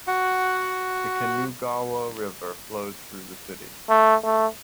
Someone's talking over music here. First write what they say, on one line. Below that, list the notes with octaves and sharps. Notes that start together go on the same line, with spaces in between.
The Kinugawa River flows through the city.
F#4 F#5
A3
A3